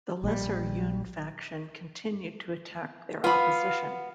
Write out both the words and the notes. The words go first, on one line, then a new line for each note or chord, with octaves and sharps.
The Lesser Yun faction continued to attack their opposition.
A#1 G3
B3 F4 F5 B5